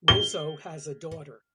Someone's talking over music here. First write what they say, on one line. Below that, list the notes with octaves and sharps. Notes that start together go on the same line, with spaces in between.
Rizzo has a daughter.
G7